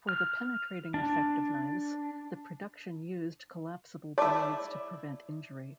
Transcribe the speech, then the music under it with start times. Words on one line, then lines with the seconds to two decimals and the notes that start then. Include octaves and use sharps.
For the penetrating effect of knives, the production used collapsible blades to prevent injury.
0.09 F6
0.94 D4
4.18 E4 C#5 D5 A5 D6